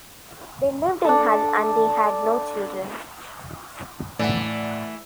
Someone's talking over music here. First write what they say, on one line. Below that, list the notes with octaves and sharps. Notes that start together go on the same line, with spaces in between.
They lived in Hull and they had no children.
D4 A4
A2 E3 A3 D5 E5 F#5